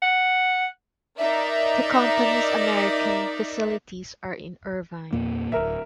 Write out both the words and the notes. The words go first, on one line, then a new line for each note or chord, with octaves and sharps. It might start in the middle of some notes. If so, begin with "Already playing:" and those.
The company's American facilities are in Irvine.
F#5
D#4 A#4 D5 E5
E2 A#2 A#3
D1 A#4 E5